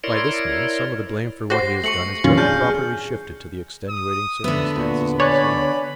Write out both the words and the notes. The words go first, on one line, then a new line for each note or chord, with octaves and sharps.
By this means some of the blame for what he has done is very properly shifted to the extenuating circumstances of his life.
E4 A#4 C#5 D5 C6
F#4 G4 C5 A#6 C7
A3 C#6 C#7 F#7
F2 A#2 D#3 F#3 C#4 F4
D4 G#4 F6 G6
D#6
D3 B3 E5
A#2 F#4
C#5 D5 G#5 B5 F#6